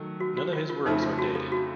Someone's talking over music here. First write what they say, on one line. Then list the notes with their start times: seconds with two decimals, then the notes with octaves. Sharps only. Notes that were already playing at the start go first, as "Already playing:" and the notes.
None of his works are dated.
Already playing: D#3 F#3 A3
0.20 F#4
0.37 F#4
0.53 F4
0.70 F4
0.86 F2 C#3 A3 C4 D#4
1.02 F4
1.18 F#4
1.35 A4
1.52 F#4